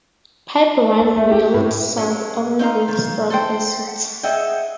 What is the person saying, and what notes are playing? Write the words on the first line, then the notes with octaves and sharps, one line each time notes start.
Piperine yields salts only with strong acids.
A4
A3
G4
A2
F#3 G#3 C#4
C4 D#4 F5 A#5
D#3
A4 C5 G5
G#4 D#5 E5 F#5 G5